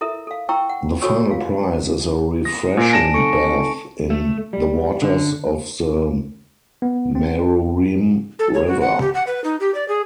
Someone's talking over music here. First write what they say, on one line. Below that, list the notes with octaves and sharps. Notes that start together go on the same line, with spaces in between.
The final prize is a refreshing bath in the waters of the Maruim River.
E4 A4 A#4 E5
A4 F5
E4 C5 G5 A#5 C#6 E6
F#5
F#4 A4 C5 C#5 C#6 E6
F4 F5
D#6 A#6
A#2 C5 D5 G#5 A#6 D7
A5 A#6 D7 E7
C4 D#4 A4 C#6 C#7 D7
A3
G3
D3
B3
C4
A4
C#5
F#4
F#5
G4
F#5
B4
D#4
G4
D5
G#4